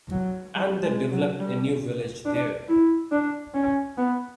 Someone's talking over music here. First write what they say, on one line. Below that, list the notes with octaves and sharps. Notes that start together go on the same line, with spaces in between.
And they developed a new village there.
F#3
G3
G#3
F#3
G3
D4
E4
D4
C#4
B3